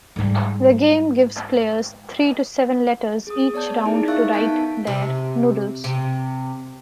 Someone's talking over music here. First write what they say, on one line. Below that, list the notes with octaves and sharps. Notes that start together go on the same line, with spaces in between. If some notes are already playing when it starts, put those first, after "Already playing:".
The game gives players three to seven letters each round to write their Noodles.
G#2 G3
G#4 D#6
B3 C#5 D5 A5 G6
D#4 E4 G#4 A#4 D5
E5 F5 C#6 E6 F#6 A6
B3 D#4 A5 G6 B6 D7
C3
C3